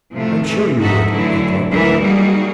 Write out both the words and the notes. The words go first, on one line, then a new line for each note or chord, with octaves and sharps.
"I'm sure you would," I thought.
A2 C3 F3 A3
E3 A3
F2 G#2 D#4 F#4 A4 E5
D3 E3 F#3 A3 E4
D2 G#2 E3 F#3 A#4 E5
F#3 G3 A#3 D#4 F#4 G#4